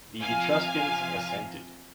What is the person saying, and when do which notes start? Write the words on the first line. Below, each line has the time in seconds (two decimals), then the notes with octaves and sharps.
The Etruscans assented.
0.21 C3 F3 F5 G#5